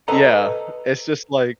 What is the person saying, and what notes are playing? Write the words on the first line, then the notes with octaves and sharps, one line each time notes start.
Yeah, it's just, like
A4 B4 C5 D#5 F#5 A#5